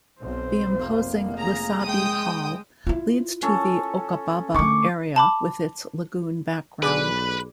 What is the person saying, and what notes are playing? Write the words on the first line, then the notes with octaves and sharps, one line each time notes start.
The imposing Lisabi Hall leads to the Okobaba area with its lagoon background.
B1 C4 C5
F1 A#3
G#4 A#5
G#3 G5 D#6
E4 F4
C#4 A4
D3 A3 C#6 D6
A5 B5 D6
B1 G#4 B4 D5 D6